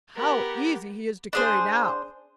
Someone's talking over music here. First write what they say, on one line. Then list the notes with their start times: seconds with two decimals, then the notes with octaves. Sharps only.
'How easy he is to carry now!
0.16 B3 G4 A#4
1.33 D4 G#4 C5